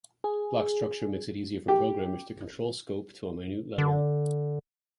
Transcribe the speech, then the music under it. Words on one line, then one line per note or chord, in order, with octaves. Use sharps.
Block structure makes it easier for programmers to control scope to a minute level.
G#4
G4
D3